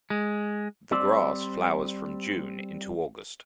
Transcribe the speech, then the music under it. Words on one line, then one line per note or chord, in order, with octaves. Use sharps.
The grass flowers from June into August.
G#3
G3 C4 C5 D5